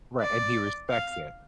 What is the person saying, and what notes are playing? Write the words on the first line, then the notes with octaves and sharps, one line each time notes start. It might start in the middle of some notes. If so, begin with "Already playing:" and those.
Right, and he respects it.
D5
F5